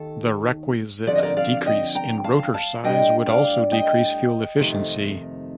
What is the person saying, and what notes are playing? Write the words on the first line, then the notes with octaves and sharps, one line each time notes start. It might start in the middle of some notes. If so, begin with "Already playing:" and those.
The requisite decrease in rotor size would also decrease fuel efficiency.
Already playing: D#2 D#3 A4
D3 F3 C4 D5
D#5
A#4 D5
D5 F5
D#5 G5
G5 A#5
F5 A5
F5 A5
A2 G3 D4 D#5 G5
D5 F5
D#5 G5
F2 C3 D#3 A3 D#4